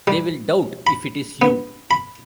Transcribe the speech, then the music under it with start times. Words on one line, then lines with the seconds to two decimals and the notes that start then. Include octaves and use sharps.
They will doubt if it is you.
0.07 G3
0.87 B5
1.42 B3
1.91 B5